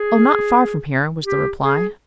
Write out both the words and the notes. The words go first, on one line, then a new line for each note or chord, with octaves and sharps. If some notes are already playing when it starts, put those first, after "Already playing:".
'Oh, not far from here,' was the reply.
Already playing: G#4
G4
G#4